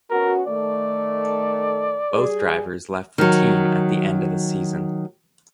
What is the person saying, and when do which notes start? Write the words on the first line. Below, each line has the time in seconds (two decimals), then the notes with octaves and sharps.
Both drivers left the team at the end of the season.
0.10 B3 C#4 F#4 A#4
0.47 D#3 A3 D5
2.12 G3 G#4
3.18 D#3 F#3